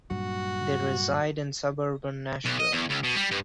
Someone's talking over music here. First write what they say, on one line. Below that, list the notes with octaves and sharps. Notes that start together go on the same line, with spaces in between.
They reside in suburban Nashville.
G2 A#2 F#3 F#4
B1
D#5
E2
C#2
B2
G3
G2